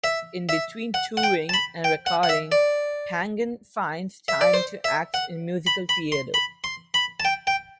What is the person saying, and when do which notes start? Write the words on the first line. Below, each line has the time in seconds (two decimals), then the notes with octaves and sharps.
In between touring and recording, Pangan finds time to act in musical theater.
0.04 E5
0.49 E5
0.94 F#5
1.17 F#5
1.23 G5
1.49 A5
1.54 B5
1.84 G5
2.06 F#5
2.23 F#5
2.29 E5
2.52 D5
4.28 E5
4.41 D5
4.54 C5
4.84 E5
5.14 F#5
5.67 B5
5.89 B5
6.12 C6
6.34 B5
6.64 C6
6.94 B5
7.20 A5
7.25 G5
7.47 G5